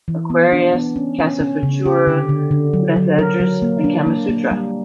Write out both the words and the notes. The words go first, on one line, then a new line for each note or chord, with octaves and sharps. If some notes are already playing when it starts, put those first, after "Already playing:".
Aquarius, Casa Futura, Methedras and Kama Sutra.
E3
B3
D4
B3
C#4
C#4
C#4
C#3
G4
D3
D3
D3
F#3
F#3
A#4
F#3
A#3
D4
A#3
A#3
G3